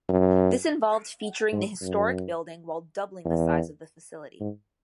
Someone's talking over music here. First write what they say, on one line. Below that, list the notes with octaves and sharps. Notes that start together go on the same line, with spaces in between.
This involved featuring the historic building while doubling the size of the facility.
F#2
G#2
F#2
E2
G#2